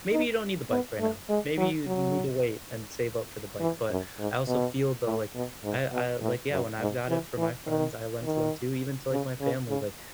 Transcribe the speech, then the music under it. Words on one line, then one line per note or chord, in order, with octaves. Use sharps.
maybe you don't need the bike right now. Maybe you need to wait and save up for the bike," but, I also feel though, like, I I like yeah, when I've got it for my friends, I lend to them too, even to, like, my family, like,
D#4
B3
A3
G#3
F#3
F#3
E3
F#2
G#2
B2
A2
B2
G#2
B2
A2
F#2
G#2
E3
E3
D#3
D#3
C#3
C#3
C#3